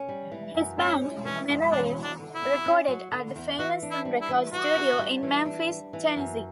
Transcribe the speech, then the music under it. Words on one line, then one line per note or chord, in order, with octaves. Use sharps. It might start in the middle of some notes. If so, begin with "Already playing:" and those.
His band, Manalive, recorded at the famous Sun Records Studio in Memphis, Tennessee.
Already playing: C#4
G3
E3
F#2
C#4 E4
G3
E3 C#4
F#2
C#4 D4
F#3
D4
D3
E4
E2
C#4
F#3
D3
E2
E3 F#4
D4
E4
G3
E4
E3
E3 F#4
D4
G3
E3
D4
G3
E3
F#2